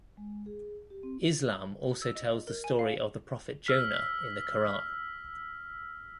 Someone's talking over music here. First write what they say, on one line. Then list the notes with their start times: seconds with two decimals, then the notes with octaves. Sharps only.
Islam also tells the story of the Prophet Jonah in the Koran.
0.17 G#3
0.46 G#4
0.90 G4
1.03 C4
2.02 E6
2.15 D#5
2.47 A#4
2.64 G#5
2.79 F5
3.66 E6 F6 B6